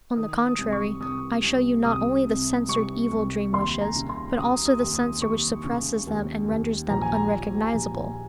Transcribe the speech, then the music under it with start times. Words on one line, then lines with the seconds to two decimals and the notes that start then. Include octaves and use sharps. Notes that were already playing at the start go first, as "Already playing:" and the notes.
On the contrary, I show you not only the censored evil dream-wishes, but also the censor which suppresses them and renders them unrecognizable.
0.16 D#3 D#6
0.45 D#6
0.58 C2
0.72 C#6
1.01 C2 D#6
1.43 C2
1.84 C2 D#6
2.26 C3
2.68 C2 C#6
3.11 C2
3.53 D#2 C6
3.81 A#5
3.96 C#3
4.09 C6
4.38 C#3 D#6
4.65 D#6
4.80 D#2
4.94 D#6
5.22 D#2 C#6
5.64 C#3
6.07 D#2
6.48 D#2
6.90 A#1 A#5
7.02 G#5
7.14 A#5
7.33 A#2
7.74 A#1